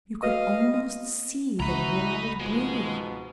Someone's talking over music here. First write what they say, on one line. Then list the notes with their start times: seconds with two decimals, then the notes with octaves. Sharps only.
You could almost see the world breathe.
0.23 F#4 B4 D#5 F5
1.60 C#2 E4 F#4 D#5 A#5 B5
2.40 G#2 B2 F3 G#3 B3